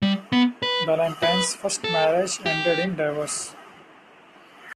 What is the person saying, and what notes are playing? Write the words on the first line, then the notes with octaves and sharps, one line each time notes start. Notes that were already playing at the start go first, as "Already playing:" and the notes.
Ballantine's first marriage ended in divorce.
G3
B3
B4
B4
A4
G4